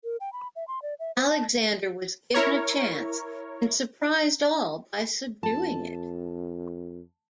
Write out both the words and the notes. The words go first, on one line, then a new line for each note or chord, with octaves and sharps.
Alexander was given a chance and surprised all by subduing it.
A#4
G5
B5
E5
C6
D5
E5
C5
A5
E4 A#4 C#5
F2 A5